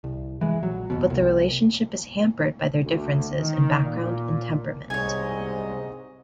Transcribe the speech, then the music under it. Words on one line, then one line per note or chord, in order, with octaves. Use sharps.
But the relationship is hampered by their differences in background and temperament.
C2
E3 G#3
A#1 F#3
F1 D#2 B2
C2
D2
D#3
A#2
C2 G#2 C3 C#5 D#5 G#5